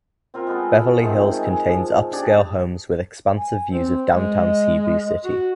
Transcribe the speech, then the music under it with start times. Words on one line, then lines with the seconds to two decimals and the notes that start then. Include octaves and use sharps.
Beverly Hills contains upscale homes with expansive views of downtown Cebu City.
0.34 C4 F4 A#4
0.47 G#3 B3 A4
1.01 D#3 G#3 A3 C4
1.39 G#5
1.68 F3
2.13 D4 G4 G#4 D5
3.37 G#5
3.71 C4 C5
4.14 G#3 D#5
5.25 F#4